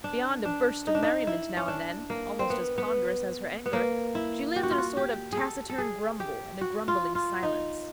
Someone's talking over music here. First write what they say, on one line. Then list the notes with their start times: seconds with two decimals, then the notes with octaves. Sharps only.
Beyond a burst of merriment now and then, almost as ponderous as her anger, she lived in a sort of taciturn grumble and a grumbling silence.
0.04 D4
0.45 D4
0.87 D#4
0.95 D4
1.02 D#4
1.27 E4
1.57 C#4
1.68 D4
2.10 A#3
2.39 C4
2.50 B3
2.78 B3
3.66 B3
3.73 A#3
4.15 E4
4.56 G4
4.63 F#4
4.71 F4
4.78 F#4
4.97 G4
5.32 G#4 A4
5.69 A4
5.78 G#4
6.20 G4
6.61 F#4
6.88 F4
7.15 F4
7.43 D#4